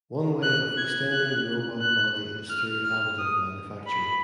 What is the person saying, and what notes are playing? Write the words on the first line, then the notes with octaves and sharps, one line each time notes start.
One way of extending the robot body is through additive manufacturing.
F#6
G#6
F#6
F#6
F6
F6
D#6
B5